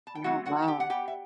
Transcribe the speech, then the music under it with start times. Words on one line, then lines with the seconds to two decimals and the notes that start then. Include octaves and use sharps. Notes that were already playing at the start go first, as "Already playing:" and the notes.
Oh, wow.
0.07 A5
0.15 G5
0.24 F#3 A3 C4 F#4 F#5
0.46 F#4 F#5
0.62 A5
0.68 G4 G5
0.80 F#5
0.90 G4 G5
1.08 E5